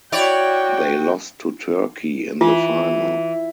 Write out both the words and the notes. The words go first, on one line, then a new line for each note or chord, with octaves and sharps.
They lost to Turkey in the final.
E4 F#4 C#5 D5 G5
E3 F4